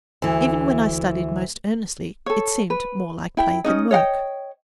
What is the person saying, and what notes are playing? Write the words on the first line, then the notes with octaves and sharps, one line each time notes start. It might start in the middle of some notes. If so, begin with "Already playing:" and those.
Even when I studied most earnestly it seemed more like play than work.
D2 E3
A4 C#5
B4
E4 G5
C#4 D#4 D#5
C#5 D#5 F5 G5